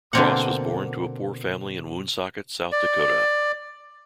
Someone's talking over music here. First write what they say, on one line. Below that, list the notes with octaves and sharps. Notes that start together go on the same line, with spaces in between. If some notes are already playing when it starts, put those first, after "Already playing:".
Cross was born to a poor family in Woonsocket, South Dakota.
B2 D3 A#3 C4 A#4 F#5
D5